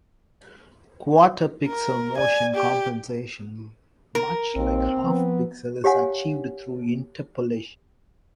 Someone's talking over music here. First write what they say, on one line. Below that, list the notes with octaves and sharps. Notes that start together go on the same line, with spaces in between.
Quarter-pixel motion compensation, much like half-pixel, is achieved through interpolation.
A#4
D5 G#5
G4
A#4
A#1 D#2 C4
F3 B3
G4 C#5 F5 F#5 G#5